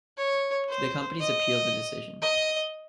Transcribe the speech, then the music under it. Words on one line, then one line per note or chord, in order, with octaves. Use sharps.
The companies appealled the decision.
C#5
C5
D#5
D#5